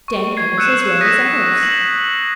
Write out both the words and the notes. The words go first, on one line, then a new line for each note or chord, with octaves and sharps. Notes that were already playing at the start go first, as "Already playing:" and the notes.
"Danglars, as well as others."
C#6
G#6 C7
E6 F#6 G6 C#7 D#7 E7
D#6 G6 A#6 B6 D#7 E7
F#7